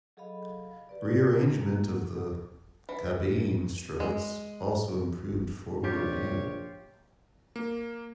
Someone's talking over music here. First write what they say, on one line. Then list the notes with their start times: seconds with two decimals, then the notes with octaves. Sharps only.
Rearrangement of the cabane struts also improved forward view.
0.17 F#3 G#4 A4 D#5 F5 B5
0.89 G4 B4 D5
1.58 G3 A#3
1.93 G4 F#5
2.89 E3
4.00 G#3
5.84 A#1 F4 G4 C#5
7.56 A#3